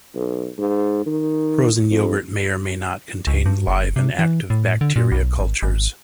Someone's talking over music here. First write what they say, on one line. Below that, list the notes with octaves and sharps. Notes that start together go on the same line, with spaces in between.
Frozen yogurt may or may not contain live and active bacteria cultures.
B1
G#2
D#3
F2
C#2
G2
F#1
C3
E3
A2
D3
A#2
B1
G#1
G#1